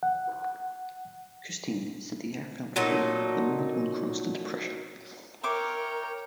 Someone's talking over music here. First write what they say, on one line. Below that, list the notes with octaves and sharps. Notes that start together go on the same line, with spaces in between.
Custine said the air felt freer the moment one crossed into Prussia.
F#5
A#2 F#3 D#4 A4
A#4 C#5 E5 G5 C6 D6